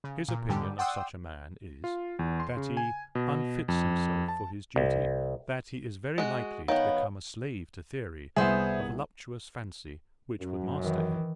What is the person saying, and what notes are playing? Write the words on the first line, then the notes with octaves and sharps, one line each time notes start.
His opinion of such a man is, that he unfits himself for his duty, that he is very likely to become a slave to theory--a voluptuous fancy, which would master him.
C#3
A#2
G#2 D3 G3 G4
D5 F#5 G5 C6 D#6 E6
F4
E2
C6
C#3
G#5
B2
F2
A5
C2
G#3 F#4
D#3 B3 C#5 F5
C2 B3 G#4 C5 E5
F#2
D#3 E3